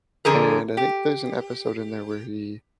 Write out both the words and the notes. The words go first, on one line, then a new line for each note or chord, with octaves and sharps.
and I think there's an episode in there where he
F2 D3 G#4 A#4
G4